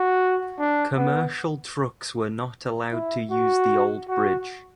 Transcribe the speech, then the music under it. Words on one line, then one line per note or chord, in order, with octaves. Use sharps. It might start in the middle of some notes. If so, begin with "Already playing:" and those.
Commercial trucks were not allowed to use the old bridge.
Already playing: F#4
D4
B3
E4
F#4
F#4